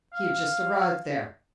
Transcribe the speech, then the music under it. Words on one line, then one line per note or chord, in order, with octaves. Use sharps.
He had just arrived there.
F5